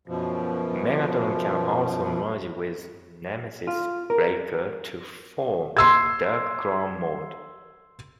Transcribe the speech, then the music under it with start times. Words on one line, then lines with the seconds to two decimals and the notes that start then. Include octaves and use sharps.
Megatron can also merge with Nemesis Breaker to form Dark Claw Mode.
0.07 F#2 B2 F3
3.67 F4
4.10 A#4
5.77 C6 E6 G#6